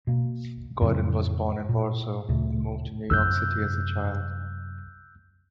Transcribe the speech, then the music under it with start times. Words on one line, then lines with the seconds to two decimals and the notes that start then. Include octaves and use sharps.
Gordon was born in Warsaw and moved to New York City as a child.
0.07 B2 A#3
0.81 F2 A2 C#3 F#3
1.69 A#2
2.28 D2 A#2 C#3 A3
3.10 F#2 C3 E6 F#6 G6